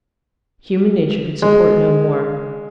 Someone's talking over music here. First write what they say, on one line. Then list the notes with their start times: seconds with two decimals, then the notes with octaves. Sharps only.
Human nature could support no more.
1.42 G#3